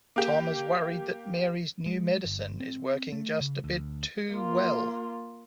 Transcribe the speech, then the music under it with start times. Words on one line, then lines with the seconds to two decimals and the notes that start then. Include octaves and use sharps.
Tom is worried that Mary's new medicine is working just a bit too well.
0.16 A#3 G4
1.86 G#3
2.25 G1
2.60 C4
3.12 A3
3.41 C#3
3.64 D2
4.32 A#3 F4